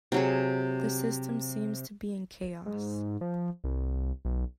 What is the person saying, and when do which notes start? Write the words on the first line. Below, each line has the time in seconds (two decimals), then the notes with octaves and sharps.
The system seems to be in chaos.
0.12 C3 F#3 G#4
2.66 G#2
3.21 F3
3.64 C2
4.25 B1